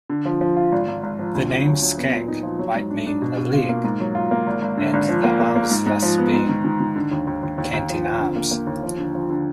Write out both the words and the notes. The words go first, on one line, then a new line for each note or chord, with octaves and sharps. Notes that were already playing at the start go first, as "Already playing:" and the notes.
The name Skanke might mean "a leg" and the arms thus being canting arms.
D3
F3
F3
F4
G#1
G#1
G#1
F3
D2
D3
F#3
F#3
B3
A#2
D#4
F3
F#3
G#2
D4
D4
B2
B2
F4
A#3
G#2
F#3
F4
A#3
G#1
G#1
D3
G#1
F3
A#3
A#3
A#3
G#2
G#2
F3
B3
G#2
D#3
D#3
D#3
D3
D#2
D#2
D#2
D#2
D#2
F3
F3
D3
A#3
A#3
D#2
F3
D3
F3
D3